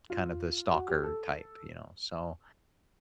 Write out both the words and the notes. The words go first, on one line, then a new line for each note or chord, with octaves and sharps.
kind of the stalker type, you know? So,
F4
F#4
G4
A4